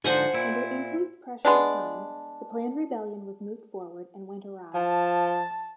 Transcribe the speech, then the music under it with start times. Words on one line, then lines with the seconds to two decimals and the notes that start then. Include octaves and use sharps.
Under increased pressure of time, the planned rebellion was moved forward and went awry.
0.04 G#2 D3 F3 C5 F#5 G#5
0.34 A#2 E4
1.45 G#3 B3 D4
4.74 F3 A5